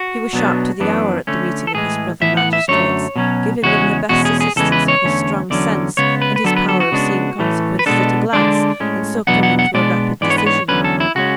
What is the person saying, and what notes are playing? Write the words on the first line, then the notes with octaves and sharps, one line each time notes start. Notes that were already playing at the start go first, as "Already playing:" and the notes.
He was sharp to the hour at the meeting of his brother magistrates,--giving them the best assistance of his strong sense, and his power of seeing consequences at a glance, and so coming to a rapid decision.
Already playing: F#4
B2 F#3 B3 D4
F#2 E3 B3 D4
D3 A3 C#4
A4
A2 E3 G#3 G#4
A2 E3 B3 E5
F#5
E5
F#2 D3 F#3 A3 C#5
B2 F#3 C#4
E2 C#3 G#3 C#4 F#4
E2 B2 G#3 C#4 F#4
G#4
G#4
E2 C#3 E3 G#3 A4
B4
C#5
E2 D3 A3 C#4
E2 D3 F#3 C#4 D5
C#3 G#3 B3 C#5
B4
B4
D3 F#3 B3 D4 A4
B4
A4
F#4
C#3 G#3 B3 D4
A2 E3 A3 C#4
B4
B2 G#3 B3 D4 A4
D3 G#3 D4 D5
A2 G#3 C#4
E2 B2 F#3 B3 D4 F#5
F#5
F#5
B2 G#3 B3 D4 D5
G#2 E3 G#3 B3 D4 D5
C#5
B4
C#5
E2 D3 F#3 C#4 B4
A4
E4
C#3 G#3 C#4 F#4